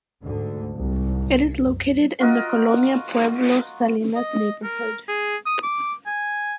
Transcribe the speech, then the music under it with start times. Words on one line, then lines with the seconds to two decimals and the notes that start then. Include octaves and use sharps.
It is located in the "Colonia Pueblo Salinas" neighborhood.
0.21 D2 G#2 D3
0.75 C2 G#2
1.57 F#2
2.20 F4 F#4 A#4 D#5
4.16 D#5
4.64 A#4
5.08 G#4
5.46 D#6
5.63 D6
6.07 G#5